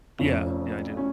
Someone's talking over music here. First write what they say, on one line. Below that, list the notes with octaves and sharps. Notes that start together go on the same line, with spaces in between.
Yeah, yeah, I do.
F1 F2 F3 C#4
C#4